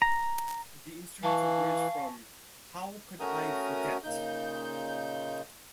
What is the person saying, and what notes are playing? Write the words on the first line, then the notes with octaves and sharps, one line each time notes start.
The instrumental bridge from How Could I Forget?
A#5
E3 F5 G#5 A5 C#6
A3 C#4 F#4 A#4 A#5 D#6
A#2 C#3 D#4 G6